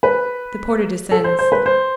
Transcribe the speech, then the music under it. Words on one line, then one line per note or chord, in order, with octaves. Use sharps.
The porter descends.
B4
A4
C5
C5
B4
C5